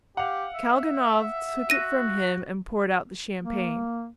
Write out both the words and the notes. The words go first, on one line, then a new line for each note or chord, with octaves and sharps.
Kalganov took it from him and poured out the champagne.
G4 F5 F#5
E5
F#4 A#6 D#7
A#3